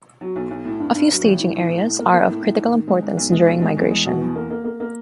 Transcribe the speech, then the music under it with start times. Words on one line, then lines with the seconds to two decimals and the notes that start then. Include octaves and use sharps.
A few staging areas are of critical importance during migration.
0.21 F#3
0.36 B1
0.51 B1
0.65 A2
0.80 G2
0.95 G2
1.10 F#3
1.24 A1
1.40 E3
1.55 E3
1.69 A2
1.84 A2
1.99 A#3
2.13 A#3
2.28 A2
2.43 A2
2.58 G#2
2.73 D#3
2.88 G#3
3.02 G#2
3.17 B1
3.32 G#3
3.46 B1
3.62 G#3
3.77 E2
3.91 G#3
4.05 B2
4.21 E2
4.35 A#3
4.50 A#3
4.64 A#3
4.80 A#3